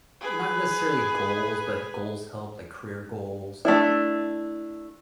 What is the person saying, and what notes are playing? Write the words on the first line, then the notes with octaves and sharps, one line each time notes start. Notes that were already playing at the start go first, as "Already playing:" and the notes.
not necessarily goals, but goals help, like career goals,
G#4 B4
A3 D4 E4